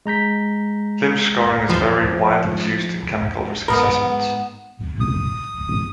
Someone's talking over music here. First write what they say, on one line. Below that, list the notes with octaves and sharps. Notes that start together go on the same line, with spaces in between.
Klimisch scoring is very widely used in chemical risk assessments.
G#3 A#5 G6 B6
F3 C5
G#2 B3 A#4
D#6